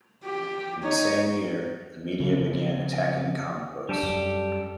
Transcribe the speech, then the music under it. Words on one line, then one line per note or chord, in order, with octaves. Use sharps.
In the same year, the media began attacking comic books.
G4
D#4 C#5
C#3 F3 C4
G3 D4 G4 A4
F#2